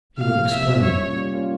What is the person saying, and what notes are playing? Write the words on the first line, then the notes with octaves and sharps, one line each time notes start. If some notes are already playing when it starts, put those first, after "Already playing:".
He would explain.
C3 F5
F3 A#3
C3 E5
F3 A#3
G3 C#5
A#3 C#4 F4
G3
A#3 C#4 F4